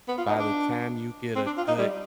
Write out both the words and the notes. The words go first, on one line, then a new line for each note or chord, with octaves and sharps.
by the time you get a good
B3
F4
D#4
D4
C4
D4
F4
D#4
G3